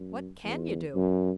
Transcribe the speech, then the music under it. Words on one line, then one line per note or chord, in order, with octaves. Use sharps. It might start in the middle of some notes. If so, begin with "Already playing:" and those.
"What can you do?"
Already playing: F#2
E2
F#2